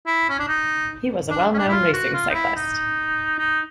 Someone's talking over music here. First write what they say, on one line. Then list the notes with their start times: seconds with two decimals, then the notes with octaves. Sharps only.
He was a well-known racing cyclist.
0.07 E4
0.29 C#4
0.39 D4
0.48 D#4
1.30 D4
1.54 C#4
1.58 D4
1.68 E4
1.72 F4
1.93 F#4
2.13 F4
2.30 D#4
2.34 E4
2.56 D#4
3.38 D#4